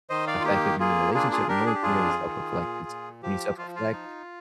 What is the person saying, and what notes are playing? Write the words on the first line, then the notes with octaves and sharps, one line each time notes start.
effective in the relationship, no one can really self-reflect, 'cause when you self-reflect,
D#3 C5 D#5
D5 F5
F4
A#3 G4
A#3 F4 G#4
D4 F4 G#4
F4 G#4
D4 G4 A#4
G#4
G4
F2 F4 G#4
D#3
A#2
A#2
F3 G4
F3 F4
F4
D#4